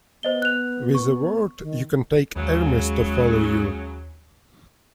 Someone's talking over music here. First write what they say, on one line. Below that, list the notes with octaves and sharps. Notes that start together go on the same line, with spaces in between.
With a word, you can take armies to follow you.
B3 C5 D#5 G7
F#6 F7
C#6
D#3
D#2 C#3 F#3 G#3